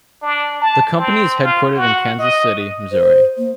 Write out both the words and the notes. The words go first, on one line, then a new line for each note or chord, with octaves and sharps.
The company is headquartered in Kansas City, Missouri.
D4
A5
C4
F4
F#4
D#5
C5
A#3